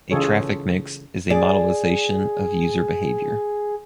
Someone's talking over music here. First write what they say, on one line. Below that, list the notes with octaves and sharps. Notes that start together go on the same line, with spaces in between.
A traffic mix is a modelisation of user behaviour.
C#3 E3 F4 G#4 A4 C#5
G#4 D5